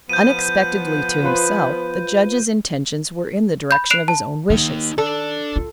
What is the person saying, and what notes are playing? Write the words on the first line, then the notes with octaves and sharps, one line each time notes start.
Unexpectedly to himself, the judge's intentions were in the direction of his own wishes.
F3 B3 G6 D#7
F4 B4 C5
B5 G6
F#6 C7 D7 E7 F7
A5
D#3 A#3 D#4
D4 A4 D5
F4